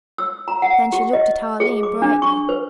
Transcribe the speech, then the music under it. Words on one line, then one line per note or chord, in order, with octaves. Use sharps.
Then she looked at Arline brightly.
E6
A#5
F#5
G4
D#5
G#4
D6
D4
C#6
B4